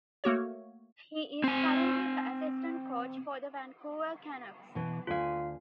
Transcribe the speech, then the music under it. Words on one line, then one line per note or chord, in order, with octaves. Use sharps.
He is currently the assistant coach for the Vancouver Canucks.
A3 A#3 F#4 C#5
C4 G#5
B2 E3
D2 F4 F5 G#5